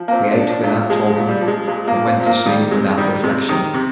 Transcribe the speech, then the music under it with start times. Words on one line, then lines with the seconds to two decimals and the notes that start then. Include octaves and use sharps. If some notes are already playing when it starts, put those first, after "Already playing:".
We ate without talking, and went to sleep without reflection.
Already playing: F3
0.08 A#3
0.12 A#2 C4
0.24 C4
0.32 D4
0.39 F3
0.51 D4
0.63 A#2
0.90 F3 G#3
1.10 G#3
1.16 A#2
1.29 G3
1.41 F3
1.48 G#3
1.68 A#2 G#3
1.87 A#3
1.94 F3
2.06 C4
2.20 A#2
2.26 A#3
2.46 D#3 G3
2.71 C3 G#3
2.97 D#3 G3
3.24 C3 G#3
3.49 D#3
3.74 C3